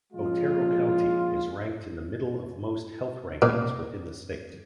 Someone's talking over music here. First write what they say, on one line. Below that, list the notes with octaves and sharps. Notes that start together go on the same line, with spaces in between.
Otero County is ranked in the middle of most health rankings within the state.
A#2 F3 G#3 C#4 F4
A#2